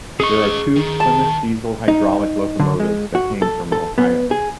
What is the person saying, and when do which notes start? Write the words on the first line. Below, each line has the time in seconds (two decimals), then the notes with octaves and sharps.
There are two Plymouth diesel-hydraulic locomotives that came from Ohio.
0.20 C#4 G#4 D#5 C#6
0.76 D#3
1.00 A5
1.88 D#4
2.60 D3
2.80 G#3
3.15 F#4
3.42 A4
3.72 A4
3.98 B3
4.31 G#4